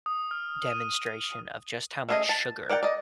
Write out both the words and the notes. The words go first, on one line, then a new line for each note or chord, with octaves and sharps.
demonstration of just how much sugar
D#6
F6
D#7
A3 C#4 G#4 A4 D#5
A5
A#4 D5 F#5 G5
D5 D#5